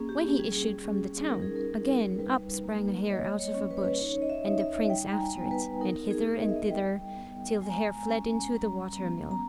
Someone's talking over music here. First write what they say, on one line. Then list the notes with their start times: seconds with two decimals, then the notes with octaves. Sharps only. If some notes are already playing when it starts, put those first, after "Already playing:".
When he issued from the town, again up sprang a hare out of a bush, and the prince after it, and hither and thither, till the hare fled into the water-mill.
Already playing: A#3 C#4 G#4
0.09 G4
0.39 G3 G#4
0.84 C#4
1.29 D#4 A#4
1.42 G#4
1.56 A#4
1.73 D#4
2.19 G3 B4
2.64 A#3
3.05 D#5
3.10 G3 C#5
3.40 C#5
3.54 C#4
3.70 B4
3.77 C#5
3.85 B4
3.99 D#4 C#5
4.22 D#5
4.30 E5
4.46 D#4
4.60 E5
4.90 G3 G5
5.12 A#5
5.20 G#5
5.35 B3
5.51 B4
5.81 D#4 A#4
6.11 G#4
6.26 D#4
6.40 D#5
6.49 E5
6.56 D#5
6.71 G3 G5
7.17 B3
7.61 G#3 G#5
7.69 A#5
7.77 G#5
8.07 C#4
8.52 G3 A#5
8.97 B3
9.31 A#5